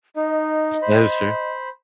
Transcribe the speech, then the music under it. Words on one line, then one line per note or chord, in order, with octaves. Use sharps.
That is true.
D#4 D#5
C5 B5